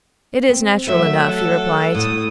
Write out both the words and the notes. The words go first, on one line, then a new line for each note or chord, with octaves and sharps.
"It is natural enough," he replied.
C4
F#3 A3 E5
A4 F#5
A2 D#6